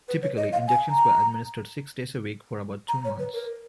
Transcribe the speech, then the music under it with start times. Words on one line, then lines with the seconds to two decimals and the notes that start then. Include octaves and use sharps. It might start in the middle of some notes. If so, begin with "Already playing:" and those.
Typically, injections were administered six days a week for about two months.
0.08 B4
0.22 C#5
0.37 D#5
0.53 F5
0.68 G#5
0.90 A#5
2.88 A#5
3.04 C#5
3.19 B4
3.33 A#4